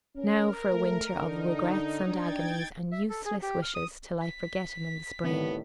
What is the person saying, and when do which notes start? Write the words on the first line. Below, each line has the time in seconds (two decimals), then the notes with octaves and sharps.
Now for a winter of regrets and agonies and useless wishes, till I forget him in the spring.
0.15 C#4 A#4
0.72 A3
1.14 D3 D#4
2.06 D4 G5 G#6 A6
2.92 E5
3.10 A4
3.25 G#4
3.42 G4
3.62 F6
3.75 D#6
4.22 B6
5.24 A2 D3 D#3 G3 B3 C4 E4